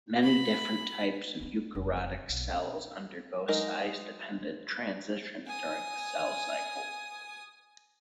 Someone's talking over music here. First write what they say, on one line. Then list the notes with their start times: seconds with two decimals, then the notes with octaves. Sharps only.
Many different types of eukaryotic cells undergo size-dependent transitions during the cell cycle.
0.23 B5
1.39 B3 D4
1.75 F1
2.29 B1
2.56 C#4
3.48 F#3 G#3 D#4 A#4
5.46 G#5 D#6